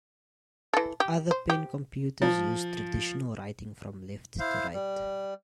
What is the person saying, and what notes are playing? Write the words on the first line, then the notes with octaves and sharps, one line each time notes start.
Other pen computers used traditional writing from left to right.
E3 A4
G4
C5
G4
F3
E4 C5 F5
G3